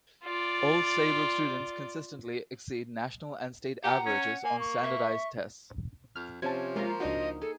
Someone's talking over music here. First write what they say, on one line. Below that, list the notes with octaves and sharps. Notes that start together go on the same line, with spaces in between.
Old Saybrook students consistently exceed national and state averages on standardized tests.
F4 D5
G4 F#5 A#5
C#4
A#3 G#5
C#6
E5
F2 F6
C3 F3 C#4 A5 G#6
G#3 A#3 F4 A#5 C6 C#6
C#2 D4 D#4 F#4 D#5
G#4 A4